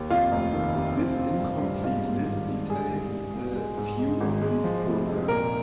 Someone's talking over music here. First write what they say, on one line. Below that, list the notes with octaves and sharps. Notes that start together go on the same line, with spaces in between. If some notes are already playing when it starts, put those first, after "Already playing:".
This incomplete list details a few of these programs.
Already playing: D#2
F2 F4
F1
D#3
C3
C4
C4
G2
G2
G#2 F4
G#2
D#3
G#2
G3 G#4
C2
C2
C2
G#3
G#2
G#3
G#1
G#3
F3
C3
F2
A#2 A#4